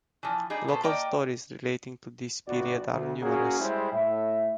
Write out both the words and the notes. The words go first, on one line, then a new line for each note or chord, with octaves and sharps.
Local stories relating to this period are numerous.
E3 F3
G3 D#4 G#4
B2 B3 A4 C5
A#3 D5 D#5 G5
G1 B3 F#4 D5
D2
A#3 C#4 F#4 G#4
G3 G#3 E4 G#4 C5 E5
A2 E5